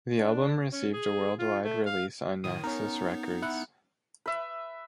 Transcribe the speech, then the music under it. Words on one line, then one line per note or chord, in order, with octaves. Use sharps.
The album received a worldwide release on Naxos Records.
D4
C#4
G#4
F4
A3
F5
A2 D#3 D#6
B3 C#4 D#4 A#4
E4 F#5
B4 E5